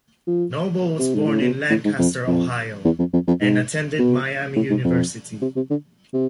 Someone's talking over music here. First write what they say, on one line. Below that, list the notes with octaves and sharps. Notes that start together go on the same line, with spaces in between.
Noble was born in Lancaster, Ohio, and attended Miami University.
F3
C3
G#2
A2
B2
A2
G#2
F2
F2
E2
F2
F2
F2
G#2
B2
A2
G#2
F2
C3
C3
D3
C3